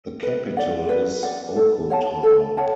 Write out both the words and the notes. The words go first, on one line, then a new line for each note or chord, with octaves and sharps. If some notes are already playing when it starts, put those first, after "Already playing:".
The capital is Ocotal.
B4
D5 F#5
B4
D5 F#5
A4
C#5 F#5 A5
A4
C#5 F#5 A5